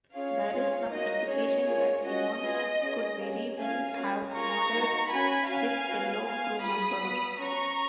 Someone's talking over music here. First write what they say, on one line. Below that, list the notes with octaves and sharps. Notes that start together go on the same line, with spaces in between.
There is some indication that Evans could very well have murdered his fellow crewmember.
C#4 F4 G#4 C#5 F5
C#4 F4 G#4
A#3 D#4 F#4 D#5
C#4 G#4 C#5
A#3 F4 G#4
C#4 F#4 D#5
B3 F4 G#4
C#4 G#4
A#3 C#4 G#4
C#4 G#4 F5 G#5
A#3 C#4 F#4
A#3 F4 G#4 A#5 C#6
A#3 D#4 F#4
C#4 F#4 G#5 B5
C#4 F#4 F5 G#5
B3 F#4
B3 F#4 F5 G#5
A#3 F4 G#4 B5 D#6
B3 F#4
C#4 F#4 A#5 C#6